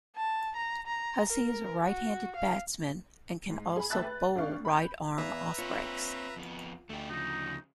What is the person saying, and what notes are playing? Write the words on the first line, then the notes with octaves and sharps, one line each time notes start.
Hussey is a right-handed batsman and can also bowl right-arm offbreaks.
A5
A#5
A#5
A#4
F#4
F5
G#2
G#4 B5
D#2 A3 E5 A5 F#6 A6
B4
G#1 D4 F5 C#6
B5 G6
E2 B4 E5 F5 A#5
C4 F4 C#5
F2 B3
D2 A3 G4
C#3 F3 D#4